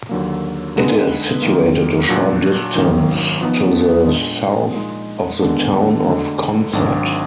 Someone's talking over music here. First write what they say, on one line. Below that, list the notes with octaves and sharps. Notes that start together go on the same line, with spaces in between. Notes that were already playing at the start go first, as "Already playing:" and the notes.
It is situated a short distance to the south of the town of Consett.
D#2 D3 F#3 A#3
D3 G#3 D#4 G#4 B4
F#2 D#3 A#3
A#2 F#3 D4 F#4
G#1 F#2 D#3 F#3 A#3
F3 B3 D#4
A#2 G#3 D4 G#4
A#2 G#3 D#4
D#2 D3 G#3 B3 D4
D2 D3 G#3
G#1 G#2 F#3 D4